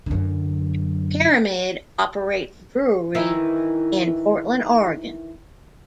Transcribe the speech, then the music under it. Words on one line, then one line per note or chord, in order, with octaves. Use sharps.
Pyramid operates a brewery in Portland, Oregon.
F#2 D3
D#3 E3 E4